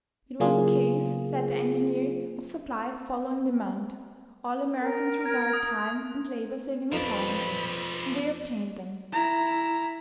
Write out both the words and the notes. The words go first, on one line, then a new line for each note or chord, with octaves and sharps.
It was a case, said the engineer, of supply following demand; all Americans required time--and labor-saving appliances, and they obtained them.
C#3 F#3 A#3 F4 G#4
A#4
G#6
D#6
F2 F3 B4 D5
E4 A#5